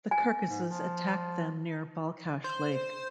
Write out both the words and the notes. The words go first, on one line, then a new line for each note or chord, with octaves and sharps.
The Kyrgyzs attacked them near Balkhash Lake.
G#5
G#2
F3
C5